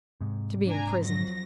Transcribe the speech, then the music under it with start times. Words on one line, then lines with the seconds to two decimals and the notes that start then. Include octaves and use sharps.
To be imprisoned.
0.21 G#2 C3
0.67 D4 G#5 A#5
1.00 F2 F#3 A#6